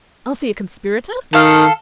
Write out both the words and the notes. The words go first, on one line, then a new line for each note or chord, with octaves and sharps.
Elsie a conspirator?
D#3 A4 F5